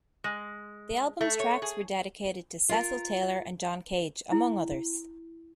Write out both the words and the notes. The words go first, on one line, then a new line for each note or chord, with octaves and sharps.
The album's tracks were dedicated to Cecil Taylor and John Cage, among others.
G#3
A3
C#5
G#4
F4 A#4
E4